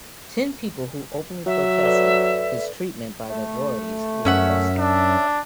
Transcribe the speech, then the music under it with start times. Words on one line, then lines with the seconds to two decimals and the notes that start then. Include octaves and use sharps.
Ten people who openly protested his treatment by the authorities were arrested.
1.46 F#3 E5
1.83 A4 B4 D5
3.28 A3
4.25 F#2 C#4 E5 F#5
4.79 D4